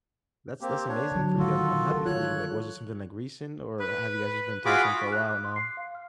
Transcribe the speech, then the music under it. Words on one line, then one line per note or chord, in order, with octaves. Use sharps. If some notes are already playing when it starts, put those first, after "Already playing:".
That's that's amazing for you, I'm I'm happy for you, like, was it something, like, recent, or have you guys just been talking for a while, now?
A#3 C4 G4
D4 C#5
D3 F#3
D#3 F4 F#4 A4
A4
F4 C#5 F#6
B4
F4 F#4 G#4 B5 D6
F#6
D6
C6
C7
F5
F6